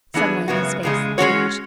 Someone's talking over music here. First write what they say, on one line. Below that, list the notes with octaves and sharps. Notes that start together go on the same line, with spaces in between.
Suddenly his face changed.
E3 B3 D4 G#4
F#2 C#3 G#3 B3 F#4
E2 C#3 G#3
G#3 C#4 F#4 C#5